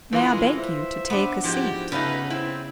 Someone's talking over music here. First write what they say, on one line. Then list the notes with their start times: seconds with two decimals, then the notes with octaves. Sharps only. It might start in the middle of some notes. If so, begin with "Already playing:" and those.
May I beg you to take a seat?'
0.13 A#2 D3 E3 G#3 F4
0.57 C5 E5
1.10 B3 D4
1.44 G#2 F3 E4 F#4 G4
1.92 C#3 A3 B3 C#4 D#4 F4 B4 F5
2.30 C4 E4 B5